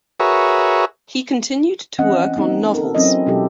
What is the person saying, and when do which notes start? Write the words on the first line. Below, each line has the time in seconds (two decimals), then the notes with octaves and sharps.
He continued to work on novels.
0.20 F#4 G#4 A#4 B4 C#5 E5
1.98 E3 C4 C#4 D#5 F#5
2.36 A#3 C4 D#4
2.75 A4 A#4
2.95 F#3 C4 C#4 E4 D#5
3.26 B2 F#3 G#3 E4 G4 A4